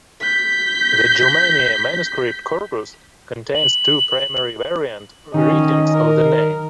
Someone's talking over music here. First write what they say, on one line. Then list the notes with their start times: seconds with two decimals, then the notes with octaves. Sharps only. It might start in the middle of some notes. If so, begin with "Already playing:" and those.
The "Germania" manuscript corpus contains two primary variant readings of the name.
0.21 G6 B6
3.55 F#7
5.34 D#3 C#4 D#5
5.94 A#4